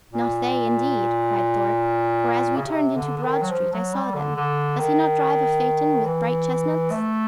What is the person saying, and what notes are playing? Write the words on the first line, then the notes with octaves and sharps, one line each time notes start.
"Not they indeed," cried Thorpe; "for, as we turned into Broad Street, I saw them--does he not drive a phaeton with bright chestnuts?"
A#2
C#3
C3
D3
D3
D#3
F#3
F3
F#3
G3
D3
D3
D#3
E3
A3